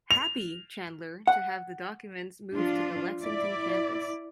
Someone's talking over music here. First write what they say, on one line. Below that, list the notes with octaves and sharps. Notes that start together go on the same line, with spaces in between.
"Happy" Chandler to have the documents moved to the Lexington campus.
F7
F#5
F3 D4 F4
E4 D5